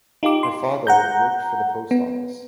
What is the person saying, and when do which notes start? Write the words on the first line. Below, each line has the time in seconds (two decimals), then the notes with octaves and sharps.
Her father worked for the post office.
0.23 D#4 F4 G4 D6
0.43 C6
0.87 F#5 A#5 G6
1.91 B3